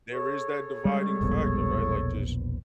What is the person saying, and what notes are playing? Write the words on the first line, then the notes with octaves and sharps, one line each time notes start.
there is that dividing factor, right, like, just
G#4 A4 C#5
G3 G#3
E1 A#1 B3